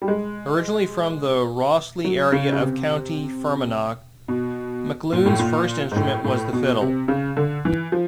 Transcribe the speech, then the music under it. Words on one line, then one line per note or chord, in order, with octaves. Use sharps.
Originally from the Rosslea area of County Fermanagh, McAloon's first instrument was the fiddle.
G3
G#3
F#3
C#3
C#3
C3
B2
A#2
A2
A#2
G#2
A2
A2
B2
C3
C#3
D3
E3
F3